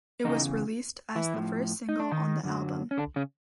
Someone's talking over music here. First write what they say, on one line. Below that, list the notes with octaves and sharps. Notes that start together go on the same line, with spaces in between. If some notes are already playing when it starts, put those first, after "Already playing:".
It was released as the first single on the album.
E2 C#3 E3 D#4
E3 E4
A2 F3
D#4
D4
D#3 D#4
F#2 D3 F#3
C#4
D3 D4
C#3 C#4